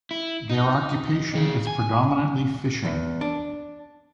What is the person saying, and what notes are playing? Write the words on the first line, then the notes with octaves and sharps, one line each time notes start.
Their occupation is predominantly fishing.
E4
D#4
C3 G#4
G#5
E2
D4